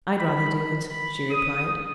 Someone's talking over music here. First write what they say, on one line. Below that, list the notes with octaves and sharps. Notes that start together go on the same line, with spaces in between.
"I'd rather do it," she replied.
B5
B5
D#6